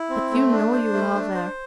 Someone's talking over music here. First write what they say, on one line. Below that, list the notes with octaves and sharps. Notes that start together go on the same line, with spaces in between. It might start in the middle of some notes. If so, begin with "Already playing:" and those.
"But you know you love her."
Already playing: E4
C4
A3
D4
C5
A3
D4
C5